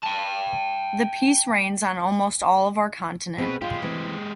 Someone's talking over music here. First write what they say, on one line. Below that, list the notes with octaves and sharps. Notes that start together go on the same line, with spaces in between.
The piece reigns on almost all of our continent.
G5 A5
B2 C4 G#4 B4
G#3 F4 G4
E3 A3 C4